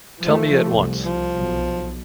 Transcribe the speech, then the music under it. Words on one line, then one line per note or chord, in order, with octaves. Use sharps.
Tell me at once.
F3 A3
C2
F3
B1